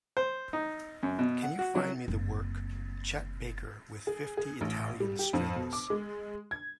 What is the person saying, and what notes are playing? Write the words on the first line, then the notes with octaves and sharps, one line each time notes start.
Can you find me the work, Chet Baker with Fifty Italian Strings?
C5
D#4
F#2
B2
F#5
F#4
F#3
F#1 C4
G#4
G#4
A1
G3
G4
F2
B2
D6
G#3
G#6